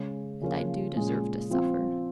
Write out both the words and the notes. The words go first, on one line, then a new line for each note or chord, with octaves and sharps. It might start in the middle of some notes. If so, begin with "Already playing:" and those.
And I do deserve to suffer.
Already playing: C#3 G#3 C#4
C#3 F3 A#3 C#4 F4
A#2 G#3 C#4
F3 C4 F4